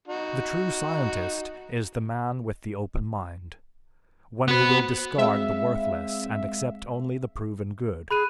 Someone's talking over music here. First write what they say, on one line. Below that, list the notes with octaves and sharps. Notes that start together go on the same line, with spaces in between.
The true scientist is the man with the open mind, one who will discard the worthless and accept only the proven good.
D#4 F#4
B3 F#4 B4 C5
G#3 C4 E5 F5
G#4 B5 F#6 D#7